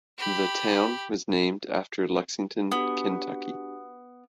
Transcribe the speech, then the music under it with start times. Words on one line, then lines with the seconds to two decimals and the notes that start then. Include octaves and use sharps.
The town was named after Lexington, Kentucky.
0.18 G4 B5
2.72 B3 D4 F#4 G4